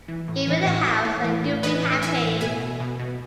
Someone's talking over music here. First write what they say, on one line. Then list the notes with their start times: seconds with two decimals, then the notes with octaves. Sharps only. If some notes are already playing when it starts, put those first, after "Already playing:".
Give it a house and you’ll be happy.
0.08 E3
0.28 A2
0.47 E3
0.67 A2
0.86 E3
1.05 A2
1.24 E3
1.44 A2
1.63 E3 B4 D#5
1.82 A2
2.02 E3 E5 G#5
2.22 A2
2.41 B2 E5 G#5
2.60 B2
2.80 B2
2.99 B2